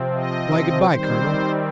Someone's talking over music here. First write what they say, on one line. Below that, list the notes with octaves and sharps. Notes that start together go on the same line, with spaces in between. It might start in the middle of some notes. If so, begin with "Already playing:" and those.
"Why good-bye, Colonel?"
Already playing: C3 F3 C4
D#5
D#3 G3 C4 C5